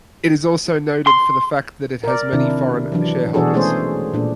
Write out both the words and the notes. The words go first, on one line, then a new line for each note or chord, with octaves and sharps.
It is also noted for the fact that it has many foreign shareholders.
C6
A#4 D5
C3 D#3 D4 E4
E3 F#3 D4
B2 E3 D4 F#4 G#4 A4
G#3 A3 C#4 G#4 C5
A#2 D4